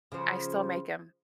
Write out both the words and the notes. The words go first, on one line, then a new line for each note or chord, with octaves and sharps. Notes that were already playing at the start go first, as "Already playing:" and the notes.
I still make 'em
C#3 F3